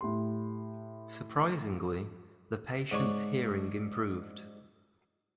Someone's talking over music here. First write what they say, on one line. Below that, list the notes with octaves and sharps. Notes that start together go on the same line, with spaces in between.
Surprisingly, the patient's hearing improved.
A2 G4 C6
G#2 D4 C#5 C#6